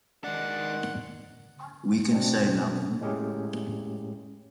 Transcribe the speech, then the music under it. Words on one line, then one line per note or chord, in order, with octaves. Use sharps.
We can say nothing.
D#3 G#3 D4 D5 F#5
B2 C4 D4
A2 G#3 A3 C#4 G4 G#4